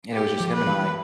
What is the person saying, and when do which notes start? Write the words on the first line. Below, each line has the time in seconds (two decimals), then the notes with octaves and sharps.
and it was just him and I,
0.13 G4
0.40 F3
0.54 B4
0.66 E3